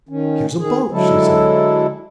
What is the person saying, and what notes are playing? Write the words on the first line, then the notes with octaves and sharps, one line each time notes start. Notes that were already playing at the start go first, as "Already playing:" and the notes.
"Here's a boat!" she said.
D#3 C#4
D#3 G#4
D3 F#3 G#3 E4 A4